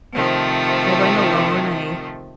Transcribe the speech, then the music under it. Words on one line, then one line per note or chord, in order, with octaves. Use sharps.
I went alone. I
C3 D#3 F3 A3